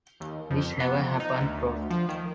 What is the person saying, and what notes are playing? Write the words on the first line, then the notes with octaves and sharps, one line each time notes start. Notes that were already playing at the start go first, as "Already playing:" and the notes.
This never happened though.
D#2
F2
B3
F2
D#4
D2
F3
D#3